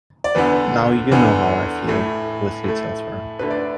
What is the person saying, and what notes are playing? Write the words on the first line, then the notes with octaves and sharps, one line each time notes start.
"Now you know how I feel," Wesley tells her.
D5
E2 D3 B3 B4
E2 D3 B3
A2 A3
A2 A3
D2 D3 A3 B4
D5
B4